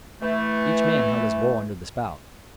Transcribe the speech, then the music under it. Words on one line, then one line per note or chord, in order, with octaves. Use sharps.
Each man held his bowl under the spout.
E3 A3